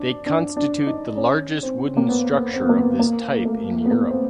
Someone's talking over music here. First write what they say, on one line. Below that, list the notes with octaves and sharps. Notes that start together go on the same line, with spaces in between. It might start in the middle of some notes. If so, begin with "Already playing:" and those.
They constitute the largest wooden structure of this type in Europe.
Already playing: D4
D4
D4
D#4
C#4
C4
A#3
B3
C4
B3
A#3
B3
A#3
A3
B3
A#3
C4